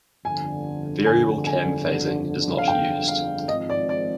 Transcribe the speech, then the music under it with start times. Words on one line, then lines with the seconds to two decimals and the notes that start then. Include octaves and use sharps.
Variable cam phasing is not used.
0.25 G1 F2 D3 G#5
1.06 G#5
1.47 G#5
2.58 F5
2.68 G5
3.08 F5
3.48 G#1 G#2 F3 C4 D#5
3.70 D5
3.89 D5